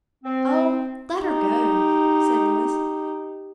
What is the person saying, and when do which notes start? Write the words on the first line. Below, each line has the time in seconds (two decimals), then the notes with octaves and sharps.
"Oh, let her go!" said Louis.
0.23 C4
1.18 D#4 G4